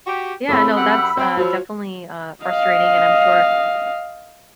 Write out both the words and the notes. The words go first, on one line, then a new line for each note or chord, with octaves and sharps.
Yeah, no. That's, uh, definitely, uh, frustrating, and I'm sure,
F#4 G4
A2 C#3 C4 G#4 A4 B5 E6
F#2 G4 F#5
C4 F#5
F3 F#4 C#5
D#5 F5